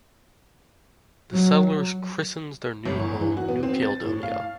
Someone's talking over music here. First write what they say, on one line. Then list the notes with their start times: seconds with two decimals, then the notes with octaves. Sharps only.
The settlers christened their new home "New Caledonia".
1.33 F#3
2.85 G1
3.00 E2
3.21 E3
3.37 F#4
3.48 B3
3.63 C4
3.82 A6
4.04 A2
4.23 F5